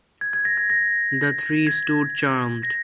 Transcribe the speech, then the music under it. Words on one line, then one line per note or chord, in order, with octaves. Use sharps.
The three stood charmed.
G#6
G#6
A#6
G#6
A#6
G#6
A#6